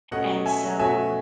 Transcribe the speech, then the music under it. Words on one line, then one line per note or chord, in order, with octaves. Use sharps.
and so,
B2 A3 C#4 D#5 F#5
E5 G#5
B2 A3 C#4 E5 G#5